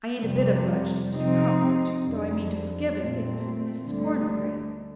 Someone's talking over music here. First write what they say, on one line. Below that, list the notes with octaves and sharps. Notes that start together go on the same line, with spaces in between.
I ain't a bit obliged to Mr. Comfort, though I mean to forgive him because of Mrs. Cornbury.
F2 C3 G3
C3 F3 C4 D#4
F2 D3 G3
A#2 A3 C4
D2 D3 G3